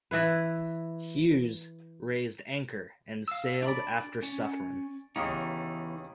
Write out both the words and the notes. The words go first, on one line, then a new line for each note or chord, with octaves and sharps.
Hughes raised anchor and sailed after Suffren.
E3 E4 B4
F5 E6
D4 D5 B5 C#6
C#4
D#2 C#3 E3 B3 D#4